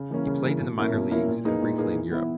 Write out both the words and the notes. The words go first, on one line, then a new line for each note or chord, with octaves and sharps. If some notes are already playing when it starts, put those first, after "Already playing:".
He played in the minor leagues and briefly in Europe.
Already playing: C#3
E3 A#3 C#4
C#3
E3 A#3 C#4
B2
A#3 C#4 E4 A#4
B2
A#3 C#4 E4 A#4
A#2
A#3 D#4 G#4 B4
A#2
A#3 D#4 G#4 B4
E3
B3 E4